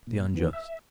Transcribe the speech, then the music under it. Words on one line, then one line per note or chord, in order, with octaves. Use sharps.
The unjust?
A#2
E2 D#3 E3 B3
E5